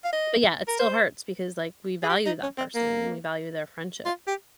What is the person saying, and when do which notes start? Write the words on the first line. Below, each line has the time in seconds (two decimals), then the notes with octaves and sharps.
But yeah, it still hurts because, like, we value that person and we value their friendship.
0.04 F5
0.13 D#5
0.68 A#4
0.79 C5
2.03 G#4
2.09 G4
2.26 D#4
2.43 C#4
2.58 C4
2.75 A#3
4.06 F4
4.27 G4